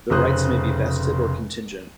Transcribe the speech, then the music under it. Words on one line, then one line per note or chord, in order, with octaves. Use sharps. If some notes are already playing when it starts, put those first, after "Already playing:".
The rights may be vested or contingent.
F1 C#3 C5 D#6 F#6